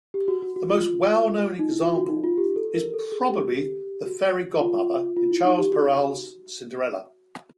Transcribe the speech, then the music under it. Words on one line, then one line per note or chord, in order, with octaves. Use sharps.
The most well-known example is probably the fairy godmother in Charles Perrault's "Cinderella".
G4
F#4
F#4
F#4
F4
D#4
E4
F4
F#4
D#4
F4
G4
A4
A#4
A4
G#4
G4
G4
F#4
F4
F4
E4
D#4
G4
F#4